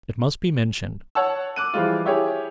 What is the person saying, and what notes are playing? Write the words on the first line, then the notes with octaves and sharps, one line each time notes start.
'It must be mentioned.
C#5 F#5 A5 E6
D6 F#6 D#7
E3 F3 G3 G#3 F4
E4 G4 G#4 C#5